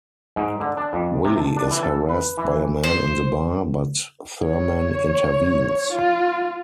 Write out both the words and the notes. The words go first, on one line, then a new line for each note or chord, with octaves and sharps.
Willie is harassed by a man in the bar, but Thurman intervenes.
G#2
D3
D4
F2
C3
A5
D4
E3
A4
B4
E3
C5
C#5
F4